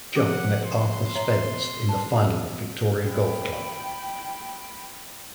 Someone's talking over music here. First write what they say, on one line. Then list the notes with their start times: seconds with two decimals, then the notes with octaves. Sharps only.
Jupp met Arthur Spence in the final at Victoria Golf Club.
0.15 F3 G4 F#5
0.65 C6
1.15 C#5 E5 A#5
1.89 A#4 A5
3.08 G5 B5